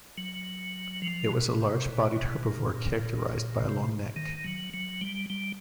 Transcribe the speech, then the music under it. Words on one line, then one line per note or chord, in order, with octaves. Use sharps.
It was a large-bodied herbivore characterized by a long neck.
F#3
F3
B2
C3
B2
B2
A#2
A#2
C3
D#3
F#3
F#3
G3
G3